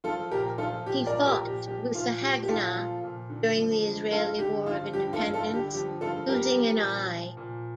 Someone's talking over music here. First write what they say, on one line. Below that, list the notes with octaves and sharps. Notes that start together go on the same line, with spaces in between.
He fought with the Haganah during the Israeli War of Independence, losing an eye.
F3 F4 A4
A#2 G4 A#4
F3 F4 A4
A#2 G4
A#4 D5
F3
G4 A#4
A#2
G4
F3 G4
A#2 F4
F3 G4
G4
A#2 F4 A4
F3
A#2
D3
F3
G2
G2 F4 A4
D3 G4
F3 F4
G2 G4
F4 A4
G2
F4 A4
D3
G4
F3 G4
G2 F4 A4
G2 G4 A#4
F3
A#2
F3
A#2